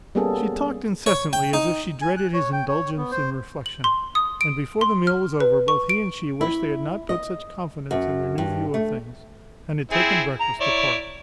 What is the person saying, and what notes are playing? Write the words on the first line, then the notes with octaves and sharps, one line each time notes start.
She talked incessantly, as if she dreaded his indulgence in reflection, and before the meal was over both he and she wished they had not put such confidence in their new view of things, and had taken breakfast apart.
G3 A#3 B3 C#4 G#4 A4
C#5
G5
D#4
G#5
F#6
C#5
G5
C#5
B3
C5
F#7
C6
D#6
D7
C6
F6
B4
C#6
D7
E4
D#5
F#2
G2
A3
C4 E4 G#4
A#5
E4 C#5 D5